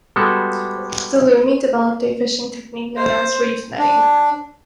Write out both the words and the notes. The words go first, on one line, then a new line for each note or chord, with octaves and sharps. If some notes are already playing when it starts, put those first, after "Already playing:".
The Lummi developed a fishing technique known as reef netting.
G3 G#3 B3 F#4 A4
C5
D4